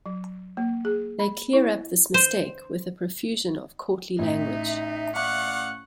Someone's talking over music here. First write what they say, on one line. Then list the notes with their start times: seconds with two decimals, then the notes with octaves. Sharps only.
They clear up this mistake with a profusion of courtly language.
0.06 F#3
0.57 A#3
0.85 G#4
1.19 B5
1.53 E4
2.14 C5
4.19 A1 D#4 E5
5.15 D5 F5 F#5 C#6 F#6